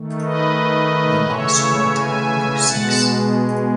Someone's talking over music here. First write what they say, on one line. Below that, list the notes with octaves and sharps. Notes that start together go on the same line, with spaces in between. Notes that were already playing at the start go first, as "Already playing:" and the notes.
The boss will attack your sinks.
Already playing: D#3 A3
B4 D#5
C#3 E3 A3 C#5 E5
E5 G#5
B2 G#3 F#5 A5